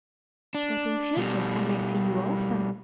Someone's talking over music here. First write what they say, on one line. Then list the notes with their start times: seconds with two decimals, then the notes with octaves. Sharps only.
"That in future I may see you often."
0.55 D4
1.18 B2 G3